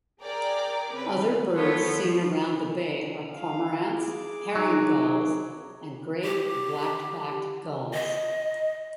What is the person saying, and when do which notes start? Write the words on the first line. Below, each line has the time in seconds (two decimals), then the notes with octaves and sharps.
Other birds seen around the bay are cormorants, herring gulls and great black-backed gulls.
0.22 G#4 A#4 D5 G5 A#5 D6
0.93 C#3 C4 B4
1.54 F3 B3 F4 A4 C5 C#5
1.94 F3
3.32 F5
3.90 G#4 D6
4.55 F#3 D#4
6.24 G4
7.94 D#5